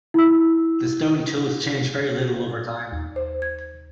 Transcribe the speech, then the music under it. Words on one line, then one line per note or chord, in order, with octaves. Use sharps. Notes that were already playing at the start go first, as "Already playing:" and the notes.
The stone tools changed very little over time.
E4 E6
D#2
C5
G#6